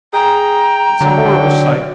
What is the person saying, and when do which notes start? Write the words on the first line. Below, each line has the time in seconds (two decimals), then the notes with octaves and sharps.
It's a horrible sight.
0.14 G#4 G5 A#5
1.01 D3 F#3
1.25 D3